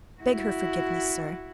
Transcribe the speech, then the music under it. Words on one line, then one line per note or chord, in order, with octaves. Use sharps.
Beg her forgiveness, sir.
E4 F#4